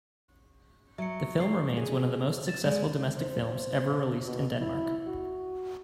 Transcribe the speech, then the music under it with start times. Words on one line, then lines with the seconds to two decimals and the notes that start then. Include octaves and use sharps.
The film remains one of the most successful domestic films ever released in Denmark.
0.98 F#3 E5 C#7
1.40 C#5 C7
1.77 G#4
2.47 A6 E7
2.64 G#3 D5
3.17 C5
4.26 B2
4.60 E4
5.07 F#4